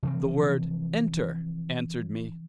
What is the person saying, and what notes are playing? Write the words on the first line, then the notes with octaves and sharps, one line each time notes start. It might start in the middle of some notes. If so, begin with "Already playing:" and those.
The word "Enter!" answered me.
C3 E3 F3 C4